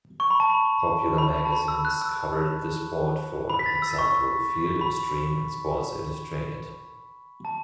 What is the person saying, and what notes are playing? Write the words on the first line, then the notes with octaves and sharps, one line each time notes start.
Popular magazines covered the sport-for example, Field and Stream and Sports Illustrated.
C#6
B5
A5
B5
B5
A5
B5
E6
F#6
E6
B5
B6
A6
E6
C#6
B5
A5